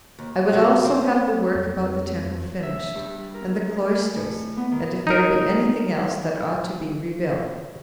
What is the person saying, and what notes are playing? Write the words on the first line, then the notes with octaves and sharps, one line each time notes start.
I would also have the work about the temple finished, and the cloisters, and if there be any thing else that ought to be rebuilt.
D#2
F2 F#4 G4
C4 C5
F2
E5
G2
A#4
G#3
A2
B3
D#3
D#4 A#4